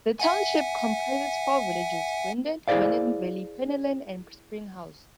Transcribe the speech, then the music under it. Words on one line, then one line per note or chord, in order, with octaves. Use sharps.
The township comprises four villages: Gwynedd, Gwynedd Valley, Penllyn, and Spring House.
E5 F#5 G#5
E4 G#4 A4 C5 D5 F5